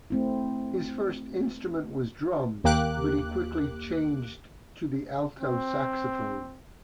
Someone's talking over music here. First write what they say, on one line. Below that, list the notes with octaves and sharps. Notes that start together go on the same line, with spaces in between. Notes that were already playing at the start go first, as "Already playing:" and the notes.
His first instrument was drums, but he quickly changed to the alto saxophone.
A3 C4 E4
D#2 A#3 G4 D6 F#6
C4